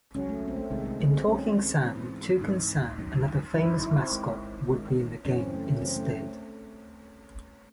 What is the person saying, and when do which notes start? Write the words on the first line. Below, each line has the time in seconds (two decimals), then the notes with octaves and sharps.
In Talking Sam, Toucan Sam, another famous mascot, would be in the game, instead.
0.15 C#2 C#3 F#3 C#4
0.29 A3
0.48 C4
0.56 A3
0.71 C2 C3 D#3 G#3
0.85 G#3
1.00 G#3
1.14 C4
1.28 C2 C3 D#3 C#4
1.84 G#2 E3 C4
2.41 G#2 E3 C4 D#4
2.98 G#1 F#2 D#3 F#3
3.55 G#1 F#2 D#3 F#3 E4
3.69 D#4
3.83 E4
3.97 C4
4.11 G#1 G#2 D#3
4.68 G#1 G#2 D#3
5.25 F#2 C#3 E3 C#4
5.39 C4
5.54 A3
5.68 C#4
5.81 F#2 C#3 E3 C4
5.96 A3